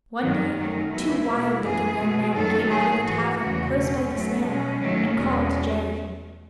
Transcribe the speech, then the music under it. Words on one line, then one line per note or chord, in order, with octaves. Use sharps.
One day two wild-looking young men came out of a tavern close by the stand, and called Jerry.
F#2 D#3 F#3
F#2 D#3 F#3 A3
E2 B2 G#3 E4
B2 A3
F#2 E3 A3 G#4
B2 A3
F#2 D#3 F#3 A3 A4
A2 F#3 A3 G#4
G#2 E3 A3 F#4
E2 C#3 E3 A3
B2 F#3 A3 C#4
G#2 F#3 A3
B2 G#3 C#4
G#2 D#3 F#3 A3
E2 B2 G#3